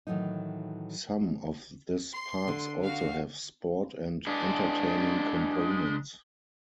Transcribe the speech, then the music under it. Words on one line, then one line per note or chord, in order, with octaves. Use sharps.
Some of this parks also have sport and entertaining components.
A2 D#3 E3 F#3 D#4
C6
D3
F#4 F5
G#3 D4